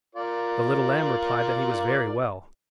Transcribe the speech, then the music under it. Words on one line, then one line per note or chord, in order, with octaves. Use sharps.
The little lamb replied that he was very well.
F4 A#4 D5